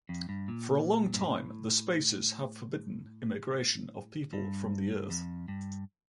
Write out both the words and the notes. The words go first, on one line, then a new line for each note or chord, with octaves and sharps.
For a long time, the Spacers have forbidden immigration of people from the Earth.
F2
G2
A#2
F2
G2
A2
G2
F2
G2